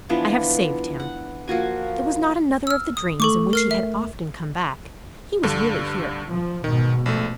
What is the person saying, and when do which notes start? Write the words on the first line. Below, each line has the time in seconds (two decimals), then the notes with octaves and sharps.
"I have saved him." It was not another of the dreams in which he had often come back; he was really here.
0.09 E3 F3 B3 D4
1.00 F#5
1.48 F3 A#3 F#4 G#5
2.67 E6 F6
2.97 D#6
3.20 A3 A4 C#6 D6
3.53 A#4 F6 C7
3.71 E5
5.43 G2 D3
6.29 F3
6.64 G#2 B2 D#3
7.06 A#1 A3